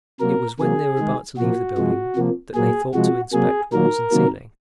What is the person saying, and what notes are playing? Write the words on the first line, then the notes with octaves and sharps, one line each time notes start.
It was when they were about to leave the building that they thought to inspect walls and ceiling.
C3 F#3 A#3 A#4
C3 F#3 A#3 G#4
D#3 G#3
A#2 F3 A#3 F#4
C3 F3 G#3
C3 F3 A#3
A#2 F#3 A#3 G#4
C3 F3 G#3 F#4
C3 F#3 A#3 G#4
D#3 F#3 A#3 A#4
C3 D#3 F#3 A#3